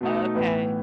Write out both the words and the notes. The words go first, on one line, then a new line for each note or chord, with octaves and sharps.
Oh, okay.
B2 A3 D#4
A2 E3 B3